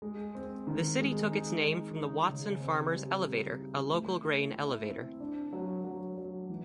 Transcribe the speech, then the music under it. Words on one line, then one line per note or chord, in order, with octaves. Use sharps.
The city took its name from the Watson Farmers Elevator, a local grain elevator.
G#3
C4
D#3
G#3
D#4
D#4
D#4
C#3
C4
G3
C4
E4
A3
E4
E4
C4
D4
F#3
F#3
F#3
E3